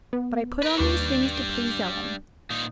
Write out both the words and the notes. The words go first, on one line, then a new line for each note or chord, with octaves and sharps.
But I put on these things to please Ellen.
B3
A#4 B4
D#2 G3 D4 B4 C#6
A#2 D#4